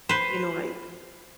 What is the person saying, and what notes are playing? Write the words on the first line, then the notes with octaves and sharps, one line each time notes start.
You know, like,
B4 C5